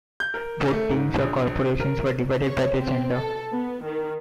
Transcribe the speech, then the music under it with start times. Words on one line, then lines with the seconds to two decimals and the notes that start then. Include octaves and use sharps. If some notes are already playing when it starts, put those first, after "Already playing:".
Both teams, or "corporations", were divided by their gender.
0.20 G6
0.34 A#4
0.73 A3
0.90 G#2
1.19 A#1
1.80 A#4
2.43 C#5
2.80 C4
3.13 A4
3.53 B3
3.85 D#3